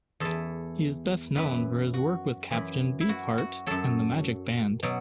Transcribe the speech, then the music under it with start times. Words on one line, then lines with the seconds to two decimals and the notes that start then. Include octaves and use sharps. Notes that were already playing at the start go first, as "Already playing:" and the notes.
He is best known for his work with Captain Beefheart and The Magic Band.
0.20 E2 E3 A4
1.36 F#2 E3 B4
1.94 F#4
2.51 F#2 E3
3.00 E4
3.09 F#4
3.38 F#4
3.67 F#2 F#3 A4
4.83 B2 F#3